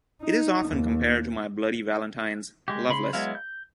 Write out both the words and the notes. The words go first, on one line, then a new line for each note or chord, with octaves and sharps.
It is often compared to My Bloody Valentine's "Loveless".
D#4
D#2
G#3 G4
C#3 B5 C6
F#3 G#3 B3 E4 F5
G6